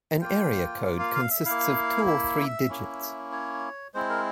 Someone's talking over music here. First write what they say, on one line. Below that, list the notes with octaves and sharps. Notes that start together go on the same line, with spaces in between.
An area code consists of two or three digits.
A#3 F4 G5
F5
F5
E5
A#3 E4 F5
E5
A#3 C#4 E4
C#5
G#3 C4 E4 C5
A#4